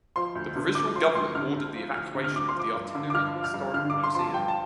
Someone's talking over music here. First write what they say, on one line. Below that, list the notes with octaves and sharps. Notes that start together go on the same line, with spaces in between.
The Provisional Government ordered the evacuation of the Artillery Historical Museum.
F3 C6
D2
D3
D2 D6
F3 C6
D2 C6
D3 F6
D2
F3
D2 F6
D3
F6
D2 D6
C6
F3 D6
G2
D3
D6
G2 F6
F3
F6
G2
D3 F6
G2 D6
C6
F3 A5 C6
G2 G5
A5